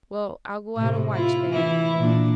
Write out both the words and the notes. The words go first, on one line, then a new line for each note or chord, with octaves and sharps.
Well, I'll go out and watch them.
A2 C3
E4 F4
E3 E4
A#2 D4